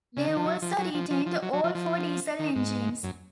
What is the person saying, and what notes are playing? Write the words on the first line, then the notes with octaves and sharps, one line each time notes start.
They also retained all four diesel engines.
C#3
D#3
F3
F#3
F3
F#3
F3
F3
F3
F#3
F#3
F3
F3
D#3
G#2
F#2